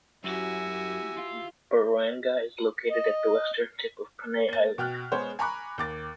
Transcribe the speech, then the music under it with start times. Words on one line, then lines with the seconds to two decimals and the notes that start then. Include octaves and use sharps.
Buruanga is located at the western tip of Panay Island.
0.24 F#2 E4 F#4 G4 G#5 E6
1.17 F4
2.90 D#5
4.48 A#3 A6
4.78 B2 G5 F6 F#6
5.12 G#3 B3 C5 C#5
5.39 G#5 A#5 B5 C#6 D6 F#6
5.78 D#2 D6 A6